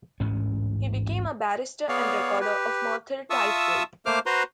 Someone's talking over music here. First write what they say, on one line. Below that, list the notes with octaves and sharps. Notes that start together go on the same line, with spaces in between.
He became a barrister and Recorder of Merthyr Tydfil.
A1 D2 G#2 C#4
B3 G#4 C#5 D5 F5
G4 B4
F4 E5 A5 C#6 D#6 E6
A3 A#3 C5 D6 F6
F#4 B4 C5 A#5 C6